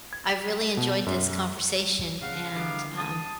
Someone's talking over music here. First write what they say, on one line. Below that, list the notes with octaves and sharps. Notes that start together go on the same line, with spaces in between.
I've really enjoyed this conversation, and, um
G#6
B2
F#2
C#3 F5 F#5
D3 E3 G3 B3 D#4 D6
A5 D#6